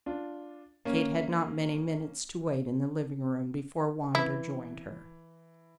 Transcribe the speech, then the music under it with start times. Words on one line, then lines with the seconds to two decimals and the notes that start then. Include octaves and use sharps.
Kate had not many minutes to wait in the living-room before Wander joined her.
0.06 D4 F4
0.85 A#3 C#4
4.15 E3 E4